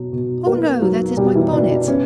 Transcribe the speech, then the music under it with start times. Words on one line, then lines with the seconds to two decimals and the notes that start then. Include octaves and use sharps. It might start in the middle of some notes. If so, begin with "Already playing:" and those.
'Oh no! that is my bonnet.
Already playing: B2 F#3
0.13 B2
0.47 A#3 B3 A#4
0.82 F#3
1.17 B2 G3 G4
1.35 E3 E4
1.52 B2 D4
1.70 D4
1.88 B3 C#4